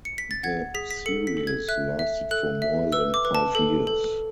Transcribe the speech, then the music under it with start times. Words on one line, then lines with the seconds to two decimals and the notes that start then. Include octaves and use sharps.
The series lasted for more than five years.
0.05 C#7
0.18 B6
0.31 A6
0.43 F#5 G#6
0.74 G#4 B6
0.91 B6
1.06 A4 C#7
1.27 B6
1.37 A4
1.47 G#6
1.68 E5 F#6
1.99 E5
2.31 A4 F#6
2.62 E5
2.92 B4 E6
3.14 D6
3.25 B4
3.35 A5
3.55 A4
3.87 A4